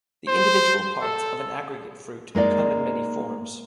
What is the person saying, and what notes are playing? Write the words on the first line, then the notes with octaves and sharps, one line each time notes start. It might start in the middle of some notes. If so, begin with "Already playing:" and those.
The individual parts of an aggregate fruit come in many forms.
C5
A4
G#3 A#3 D#4 D5